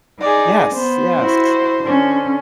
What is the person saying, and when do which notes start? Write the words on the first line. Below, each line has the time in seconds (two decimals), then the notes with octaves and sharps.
Yes, yes.
0.21 D#4 G#4 D5
0.75 B3 C5
1.21 E4 F#4
1.81 D3 C#4